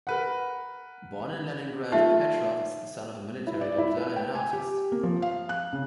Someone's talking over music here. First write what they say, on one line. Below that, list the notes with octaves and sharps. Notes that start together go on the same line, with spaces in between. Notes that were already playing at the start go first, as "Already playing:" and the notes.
Born in Leningrad, Petrov is the son of a military doctor and an artist.
A#4 B4 F#5
A3 D#4 F4 E5
E4
D5
E4
B4
G5
G#5
G4
A#3
F3
F5
F#6
C#3